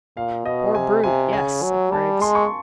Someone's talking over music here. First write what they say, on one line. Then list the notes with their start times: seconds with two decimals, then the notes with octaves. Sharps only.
"Poor brute, yes," said Griggs.
0.17 A#2 F5
0.45 B2 D#5
0.75 C3 G#5
1.04 C3 G#5
1.33 C#3 G#5
1.63 F#3
1.92 G3 A5
2.21 G#3 C6
2.35 C#6